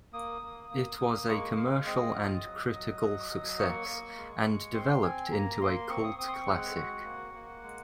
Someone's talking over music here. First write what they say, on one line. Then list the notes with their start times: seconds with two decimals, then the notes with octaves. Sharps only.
It was a commercial and critical success and developed into a cult classic.
0.13 A#3 D#6
0.42 A#3
0.71 A#3
0.99 A#3
1.29 G#3 C#6
1.57 G#3 F5
1.86 C4 D#5
2.15 F4
2.44 F#3
2.72 F#3
3.01 F#3
3.31 F#3
3.59 A#3 C#6
3.88 A#3
4.16 G#3
4.46 G#3
4.74 C4 C6
5.03 C4 G#5
5.32 A#3 A#5
5.61 A#3 C6
5.89 C4 C#6
6.04 D#6
6.18 C4 D#6
6.28 C6
6.33 C#6
6.47 G#3 F#5
6.76 F#4
7.04 A#3
7.34 A#3
7.63 G#3